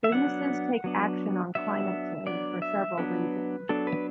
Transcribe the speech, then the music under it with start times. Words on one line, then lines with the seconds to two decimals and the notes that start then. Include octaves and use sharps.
Businesses take action on climate change for several reasons.
0.04 E5
0.12 F#3 B3 D4 F#5
0.84 F#3 B3 D4
1.55 F#3 B3 D4 E5
2.27 F#3 B3 D4 D5
2.62 E5
2.98 F#3 B3 D4 B4
3.69 F#3 B3 D4 A4
3.87 B4